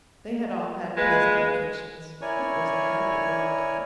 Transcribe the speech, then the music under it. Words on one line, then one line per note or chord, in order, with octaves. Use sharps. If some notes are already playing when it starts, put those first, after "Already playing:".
They had all had pleasant vacations: it was a happy world.
G#3 A#3 F4 B4
E4 A#4 C#5 D5 G#5 C#6